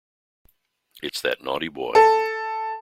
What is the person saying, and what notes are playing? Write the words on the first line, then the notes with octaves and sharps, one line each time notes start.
It's that naughty boy.
A4